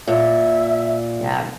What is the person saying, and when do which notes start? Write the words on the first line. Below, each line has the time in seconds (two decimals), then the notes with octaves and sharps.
Yeah, m
0.07 A#2 E5